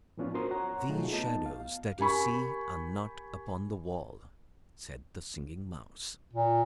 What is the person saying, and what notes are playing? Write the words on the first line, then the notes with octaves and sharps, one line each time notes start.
"These shadows that you see are not upon the wall," said the Singing Mouse.
A2 F3 B3 C#4 D4 F4
F#4 A#4 C5 C6 D#6
C#5 F#5 A#5
B2 F#3 A3 D#4 F4 G#4
B3 D#4 A5
F5
G4 A#4 G#5 B5 C#6
A#2